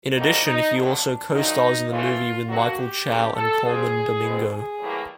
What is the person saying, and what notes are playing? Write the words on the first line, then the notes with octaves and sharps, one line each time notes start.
In addition he also co-stars in the movie with Michael Chow and Colman Domingo.
D2 D3 G3 A#3 D#4
D#4
F2 D3 F#3 D4
G2 D#3 F#3 D#4
C#3 E3 A3 C#4 F4
F2 D3 F#3 A#3 F#4
G4
E2 C#3 E3 A3
A4
A#2 G3 C4 G#4
B2 G#3 C4
G#4
A2 E3 G3 A#3